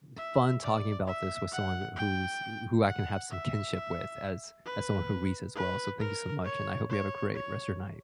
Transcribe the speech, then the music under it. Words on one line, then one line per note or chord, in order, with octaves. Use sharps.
t fun talking about this with someone wh who's who I can have some kinship with as as someone who reads as well. So, thank you so much, and I hope you have a great rest of your night.
E5
D5
E5
F#5
G5
F#5
E5
B4
B4
A#4
C#5
C#5
C#5